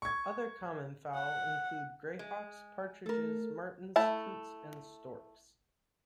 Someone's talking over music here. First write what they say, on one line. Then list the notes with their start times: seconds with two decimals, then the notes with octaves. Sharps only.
Other common fowl include grey hawks, partridges, martins, coots and storks.
0.02 C#6 G#6
1.15 F#5
2.19 G#3
3.06 A3 A4 A#4
3.96 A3 E4 A5